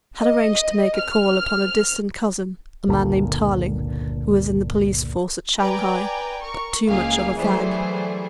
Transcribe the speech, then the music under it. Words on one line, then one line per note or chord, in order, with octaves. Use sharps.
Had arranged to make a call upon a distant cousin--a man named Tarling--who is in the police force at Shanghai, but too much of a fag.
D#5
F6
G1 C#2 A#2 D3
B4 D5 G5 G#5 A#5
A#4 C#6
C#2 A#3 G#4 F5
E3 F#3 G3 A3 G#4 C5